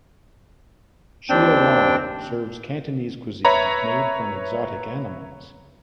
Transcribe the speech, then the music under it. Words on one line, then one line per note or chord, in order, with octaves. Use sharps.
Shia Wong serves Cantonese cuisine made from exotic animals.
D#2 C4 D4 G5
B4 C#5 E5 A#5 B5